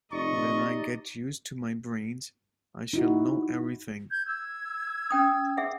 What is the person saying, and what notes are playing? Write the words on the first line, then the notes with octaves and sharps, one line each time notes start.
When I get used to my brains I shall know everything.
F1 D#4 G4 D5 D#5 C#6
D#4 E4 F#4
G6 G#6
E6 G#6
C#4 G5 D#6
G#4 E5 F#5